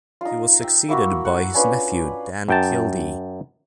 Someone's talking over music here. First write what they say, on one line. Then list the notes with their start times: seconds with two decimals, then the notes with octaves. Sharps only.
He was succeeded by his nephew Dan Kildee.
0.21 D#4 F4
0.61 E5 G5
0.89 A#3 E4 F#4
1.25 F#5
1.54 C#4 D4 F4 B4
2.49 F#2 G5 A5